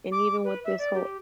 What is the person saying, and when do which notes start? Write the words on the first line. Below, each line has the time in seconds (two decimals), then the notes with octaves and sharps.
and even with this whole
0.12 D6
0.44 B4
0.64 E5
0.78 D5
0.94 G4